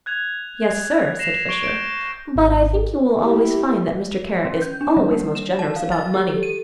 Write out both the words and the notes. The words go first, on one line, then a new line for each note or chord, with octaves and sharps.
"Yes, sir," said Fisher, "but I think you will always find that Mr. Kara is always most generous about money."
F#6 G#6 F7
A#6 C7 E7 F7
C#6 D7 G7
G6 D7
G#1
E4 G4
C#4
G6
D4
G3
A#3
E7
A5
F5
A6
G4
A4
D#7